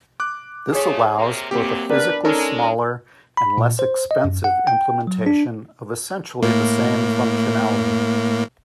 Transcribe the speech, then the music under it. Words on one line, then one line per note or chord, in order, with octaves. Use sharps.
This allows both a physically smaller and less-expensive implementation of essentially the same functionality.
D6 F#6
F3 A3 G#4 C#5
C3 A#3
E2 F#3 A#3 C4 G4
B3 D4 A#4 B4 D5
G#3 C#4 D#4 A4 A#4
B5
A#2
C5
D#5
F#2
F#5
G5
F#3
D4
A2 A#3